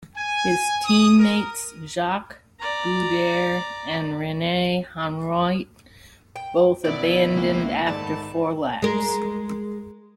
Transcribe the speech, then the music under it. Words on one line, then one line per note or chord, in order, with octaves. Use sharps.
His team-mates Jacques Guders and Rene Hanriot both abandoned after four laps.
G#5
D#6
A#4
D5 A#5
G5
B2 D#3 F#3 B3 E4 D5
C#2 A#3
G#2 D#3 A3 E4 D5 A5
G#3 A#4